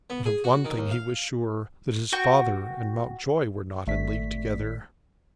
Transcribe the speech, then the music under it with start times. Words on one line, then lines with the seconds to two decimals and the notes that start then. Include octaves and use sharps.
But of one thing he was sure, that his father and Mountjoy were not in league together.
0.10 B3
0.26 G#4
0.44 F#4
0.65 D#3
0.78 D#2
0.91 F5
2.12 F#4 G5 C#6
3.87 G#1 A3 D5 B6